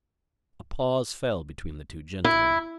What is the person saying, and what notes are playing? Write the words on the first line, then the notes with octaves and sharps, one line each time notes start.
A pause fell between the two gentlemen.
E4